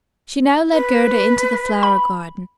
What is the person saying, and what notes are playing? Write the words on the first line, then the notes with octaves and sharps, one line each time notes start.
She now led Gerda into the flower-garden.
B4
B5